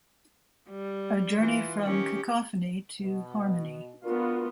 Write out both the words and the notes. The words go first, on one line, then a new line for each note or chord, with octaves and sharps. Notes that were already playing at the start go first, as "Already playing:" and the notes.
A journey from cacophony to harmony.
G3
E3 F4
D#3 C#4 G4
B2
B3 D4 F4 F#4 A#4